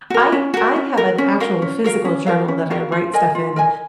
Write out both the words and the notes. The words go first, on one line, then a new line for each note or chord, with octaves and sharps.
I I have an actual physical journal that I write stuff in,
F#4 A#4
C#4
F#4 A#4
C#4
F#4 A#4
C#4
F#4 A#4 F5
C#4
F#4 A#4 F5
C#4
F#4 A#4 F5
C#4
F#4 A#4 F5
F4
A#4 D#5 G#5
F4
A#4 D#5 G#5